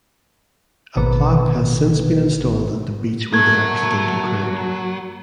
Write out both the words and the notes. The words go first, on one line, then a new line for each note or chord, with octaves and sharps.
A plaque has since been installed at the beach where the accident occurred.
A1 B2 D#3 A#3 B4
F#3 A3 A#3 G#6